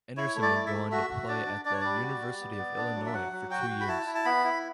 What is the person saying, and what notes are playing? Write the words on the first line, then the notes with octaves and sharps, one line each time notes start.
Anderson would go on to play at the University of Illinois for two years.
E4 C#5
A3
D5
E4
E5
A3
F#4 E5
F#4
D4 D5
D4
D4 D5
C#5
G3 D5
F#4
G3
B3
B3
D4
F#3
E5
F#3 F#5
F#3
F#4 G5
F#4
B5
E4 A5
E4
A5
B3 B5
E4